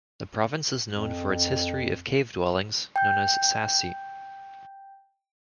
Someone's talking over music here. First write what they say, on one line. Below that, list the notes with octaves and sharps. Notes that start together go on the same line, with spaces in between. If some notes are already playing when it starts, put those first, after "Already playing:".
The province is known for its history of "cave dwellings" known as "sassi".
F2
G5 G6